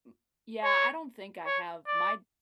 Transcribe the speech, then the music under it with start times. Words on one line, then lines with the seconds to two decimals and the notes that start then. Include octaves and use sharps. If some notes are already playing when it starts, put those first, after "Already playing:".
m Yeah, I don't think I have. My
0.64 C#5
1.46 C#5
1.87 D5